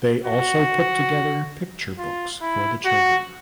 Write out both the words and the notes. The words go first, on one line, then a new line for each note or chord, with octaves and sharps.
They also put together picture books for the children.
F#4
F4
E4
F#4